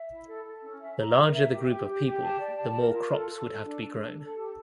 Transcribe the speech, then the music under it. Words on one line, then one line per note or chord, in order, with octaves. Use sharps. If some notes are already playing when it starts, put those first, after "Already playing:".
The larger the group of people, the more crops would have to be grown.
Already playing: E5
E4
A4
A4
C#4
E5
A#5
A#4
E5
G4
G4
G4
G4
A5
D5
A5
A#4
F4
A4
A4
A4
D4
D4
A4
A4
G4